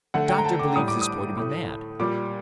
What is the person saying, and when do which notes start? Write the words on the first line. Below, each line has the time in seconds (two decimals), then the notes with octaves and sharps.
A doctor believes this boy to be mad.
0.14 D3 A3 F#5
0.29 G5
0.38 A#5
0.45 A5
0.59 D6
0.76 A2 G3 D#6
0.88 D6
1.02 D#6
1.37 A2 A3
2.00 A#2 G3 D6